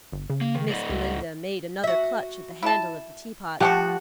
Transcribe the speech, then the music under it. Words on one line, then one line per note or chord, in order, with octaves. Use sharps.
Miss Belinda made another clutch at the handle of the teapot.
G1
C#3
A#3
D#3
A2 D5 D#5
C#2
F#4 E5
E4 A5
B2 F3 A3 F#4 G4 F#5